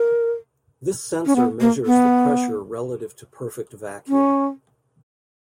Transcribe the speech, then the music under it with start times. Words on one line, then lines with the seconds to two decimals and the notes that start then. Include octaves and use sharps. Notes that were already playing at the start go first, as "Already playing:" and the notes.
This sensor measures the pressure relative to perfect vacuum.
Already playing: A#4
1.26 C#4
1.36 B3
1.60 A#3
1.86 B3
4.08 C#4